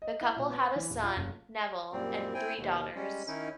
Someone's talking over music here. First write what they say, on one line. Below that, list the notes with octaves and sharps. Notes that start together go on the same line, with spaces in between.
The couple had a son, Neville, and three daughters.
D#5
E4
A#2
B3
C5
E3
D1
F4
F#1
F#2 A#2 G3 C4
C4 E4 G5 G#5
D#2 B2
G3 G#3 C#4
D#3 C#4 D#4 E4